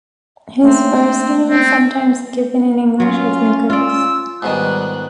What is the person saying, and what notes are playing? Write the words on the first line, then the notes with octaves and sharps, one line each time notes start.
His first name is sometimes given in English as Nicholas.
A3 A#3 C4 D4
C4
F#3 C#4 F4
F4 D5 E6
G#2 B2 D#3 G3 F#6